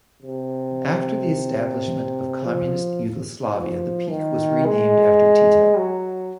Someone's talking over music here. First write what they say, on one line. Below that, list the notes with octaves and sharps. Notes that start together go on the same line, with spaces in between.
After the establishment of Communist Yugoslavia the peak was renamed after Tito.
C3
F3
F3
D#3
G#3
F#3